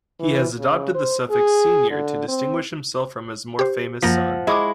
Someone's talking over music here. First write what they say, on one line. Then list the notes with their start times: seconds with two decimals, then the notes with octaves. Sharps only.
He has adopted the suffix "Senior" to distinguish himself from his more famous son.
0.20 E3
0.59 C#3
0.95 C5
1.31 G#4
1.90 D3
2.28 C4
3.59 G4 C5
4.02 F#2 F3 A#3 F#5 A#6
4.47 G#3 E4 D#5 C#6 D6